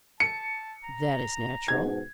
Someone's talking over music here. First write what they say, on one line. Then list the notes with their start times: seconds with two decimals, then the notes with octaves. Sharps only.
"That is natural."
0.20 A5 C#7
0.84 A#5
1.68 G#2 B2 G#6